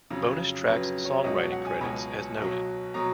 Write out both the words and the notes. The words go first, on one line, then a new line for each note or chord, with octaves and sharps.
Bonus tracks songwriting credits as noted.
F2 C#3 F#3
F2 C#3 F#3 B4
C#5
C#2 B2 F#3 D#5
F#5
F#5
G#5
C#2 B2 F#3 B5
B1 B2 F#3
B2 F#3 A#5